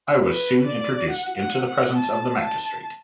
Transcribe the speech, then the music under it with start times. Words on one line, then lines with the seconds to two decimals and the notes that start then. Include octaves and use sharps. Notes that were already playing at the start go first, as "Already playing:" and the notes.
I was soon introduced into the presence of the magistrate.
0.24 B4
0.67 D5
1.10 F#5
1.39 F#5
1.68 F#5
1.98 A5
2.41 A5